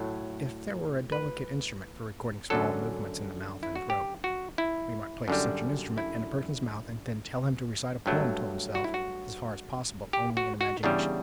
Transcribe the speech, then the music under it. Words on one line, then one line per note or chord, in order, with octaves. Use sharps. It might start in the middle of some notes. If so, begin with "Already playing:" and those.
If there were a delicate instrument for recording small movements in the mouth and throat, we might place such an instrument in a person's mouth and then tell him to recite a poem to himself, as far as possible only in imagination.
Already playing: A2 F#3 A3
B4
F#2 D3 F#3 A4
E4
F#4
G4
F#4
E4
F#2 D3 G3
E4
G2 F#3 A3
F#4
E4
F#4
G4
F#4
F#4
E2 C#3 G3 D4